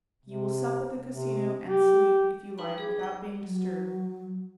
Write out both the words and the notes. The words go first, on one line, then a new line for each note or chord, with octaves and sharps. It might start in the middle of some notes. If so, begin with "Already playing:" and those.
You will sup at the casino, and sleep, if you like, without being disturbed.
C3
C3
G4
D#4 F4 B4 G5 A#5 B5
G3 G#4 D6
F#5 G5
F#3